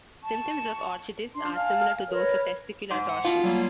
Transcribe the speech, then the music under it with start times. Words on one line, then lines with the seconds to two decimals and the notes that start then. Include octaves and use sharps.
Symptoms of orchitis are similar to those of testicular torsion.
0.24 A5 C#6
1.35 D4 C6
1.55 F5 G#5 A5 F6
2.08 A#4 B4 C#5
2.90 G#2
3.09 F#5
3.24 B2 F4
3.44 F#3 G3 A#3